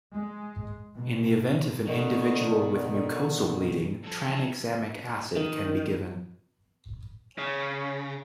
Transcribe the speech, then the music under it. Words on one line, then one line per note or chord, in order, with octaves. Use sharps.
In the event of an individual with mucosal bleeding tranexamic acid can be given.
G#3
B2
B2 D3 D#3
F2 A4
D#3
C#3 C#4